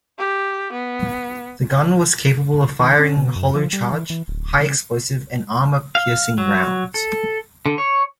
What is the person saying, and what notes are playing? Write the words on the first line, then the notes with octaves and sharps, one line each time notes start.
The gun was capable of firing hollow charge, high explosive, and armour piercing rounds.
G4
B3
D#3
C#4
B2
F#2
F3
G3
E3
E3
D1
C#3
F5
F#3
A4
D3
C#5